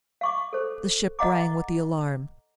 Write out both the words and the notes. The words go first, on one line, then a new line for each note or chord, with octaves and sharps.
The ship rang with the alarm.
F5 C#6 D6
A4 C5
D#5 F5 F#5 A#5 D6